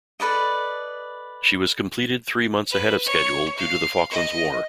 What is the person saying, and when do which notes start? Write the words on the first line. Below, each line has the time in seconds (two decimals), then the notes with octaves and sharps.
She was completed three months ahead of schedule due to the Falklands War.
0.20 A4 B4 D5 D#5
2.72 B4
3.05 C#5
3.58 F5
4.10 D#5